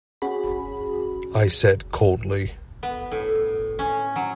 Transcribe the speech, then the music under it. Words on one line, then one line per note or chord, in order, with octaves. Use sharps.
I said coldly.
C#4 F#4 G#4 B5
B3
A2
C#4
F#3